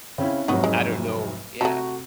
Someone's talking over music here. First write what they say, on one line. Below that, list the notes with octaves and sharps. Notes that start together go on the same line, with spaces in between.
I don't know yeah.
C#3 C4 C#4 E4
F1 G#2 C3 F#3 A3 B3
G#3
C3 A3 F#4 A4 A#5